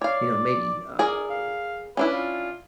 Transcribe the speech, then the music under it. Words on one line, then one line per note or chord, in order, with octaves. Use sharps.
you know, maybe, um,
C#5 D5 F5
G#4 A#4 D5
F5
C#4 D4 E4 B4
F4